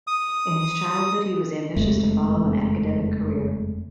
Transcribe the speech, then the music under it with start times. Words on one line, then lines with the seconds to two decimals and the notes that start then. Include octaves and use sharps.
In his childhood he was ambitious to follow an academic career.
0.07 D#6
1.76 F#1 F2 G#3 A3